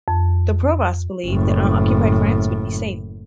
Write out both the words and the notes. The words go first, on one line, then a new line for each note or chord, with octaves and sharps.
The Provosts believed that unoccupied France would be safe.
F2
F#1 A2